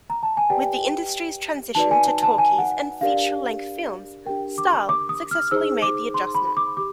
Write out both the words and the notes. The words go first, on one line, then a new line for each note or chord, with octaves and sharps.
With the industry's transition to talkies and feature-length films, Stahl successfully made the adjustment.
A#5
A5
G#5
G4 B4 D5 G5
D#4 F#4 B4 D5 A5
G#5
A5
A5
G#5
F#5
D4 G4 A#4 D5 F5
D4 G4 A#4 G5
D6
C#6
D6
D#6
F6
D#4 G#4 C5 E6
D6
C6
B5
D6
G4 D6